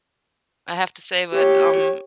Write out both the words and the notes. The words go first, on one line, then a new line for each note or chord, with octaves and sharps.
I have to say that, um,
G4 C#5